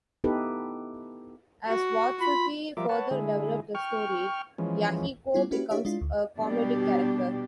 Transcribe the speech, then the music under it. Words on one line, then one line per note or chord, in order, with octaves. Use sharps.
As Watsuki further developed the story, Yahiko becomes a comedic character.
B3 D#4 E4 G4 A4 B4
F#4
F4 B5
F3 G3 F4 A#4 E5 D6
B4 C#5 F#5 A5
D3 G#3 E4 G#4
G5 C#6 F6
E3 F3 G#3 C#4
G3 B3 C#4 E4 F4
A#3 C#4 E4 F#4 G4 B4
D4 E4 G4 C#5 E5 F5
G#3 D4 E4 F4
D2
B2 G3 D4 G4